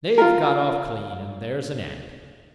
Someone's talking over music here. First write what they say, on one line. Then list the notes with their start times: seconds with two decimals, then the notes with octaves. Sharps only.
They've got off clean, and there's an end.
0.18 F4 A#4